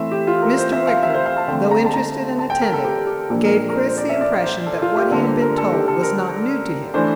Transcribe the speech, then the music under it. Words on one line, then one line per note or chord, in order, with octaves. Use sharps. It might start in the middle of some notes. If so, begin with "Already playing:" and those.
Mr. Wicker though interested and attentive, gave Chris the impression that what he had been told was not new to him.
Already playing: E3 A3 C4 E5
G4
F4
A#4
C5
E5
F5
E5
C5
F5
A5
D3 A3 C4 G5
A#5
A5
A#5
A5
G5
A#4
A4
G4
G4
A#2 F3 A#3 D4 A4
A#4
A#4
C5
C5
D5
E5
D5
C5
A4
F4
G4
D3 G3 A#3 D4 A4
C5
A#4
A4
G4
A4
A#4
E3 A3 D4 C5